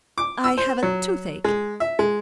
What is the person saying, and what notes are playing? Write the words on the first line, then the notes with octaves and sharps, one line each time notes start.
I have a toothache.
D6
E6
C5
F#3
G#3
E5
G#3